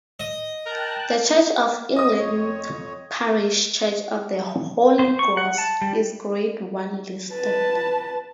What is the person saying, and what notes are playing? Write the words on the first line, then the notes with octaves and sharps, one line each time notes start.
The Church of England parish church of the Holy Cross is Grade One listed.
D#5
A#4 G5 A5 F#6
D#5 D#6
F2 C#5
C5
C#6
F#5
A5
G3
B4 A5